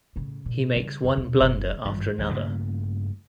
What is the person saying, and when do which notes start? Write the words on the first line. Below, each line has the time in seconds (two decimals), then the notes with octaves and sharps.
He makes one blunder after another.
0.16 A2 C#3
0.46 A#2
0.76 C#3 G3
1.04 F2
1.17 D#2 B2
1.41 F#1
1.85 G#1 G2 F3
2.18 G#1 F2 G#2
2.33 G2 C#3 A3 A#3